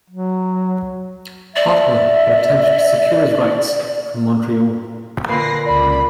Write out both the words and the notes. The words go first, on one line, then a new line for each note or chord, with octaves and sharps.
Ottawa would attempt to secure his rights from Montreal.
F#3
D5 E5
A#2 D3 B4 A#6 C7
C#2 D5 B5